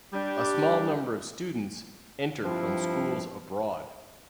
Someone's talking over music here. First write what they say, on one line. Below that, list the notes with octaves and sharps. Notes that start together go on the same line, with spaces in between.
A small number of students enter from schools abroad.
G3 D4 G4
G2 F3 C4 E4